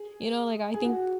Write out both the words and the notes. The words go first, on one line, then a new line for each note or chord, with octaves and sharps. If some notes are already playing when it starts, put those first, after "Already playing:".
you know, like, I think,
Already playing: G#4
G#4
F#4